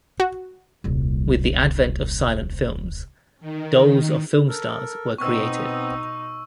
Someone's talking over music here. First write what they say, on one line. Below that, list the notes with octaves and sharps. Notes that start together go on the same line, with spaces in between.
With the advent of silent films, dolls of film stars were created.
F#4
D#1 C2
D#3
A4 A#4
B2 B3 C4 D#4 C#6 E6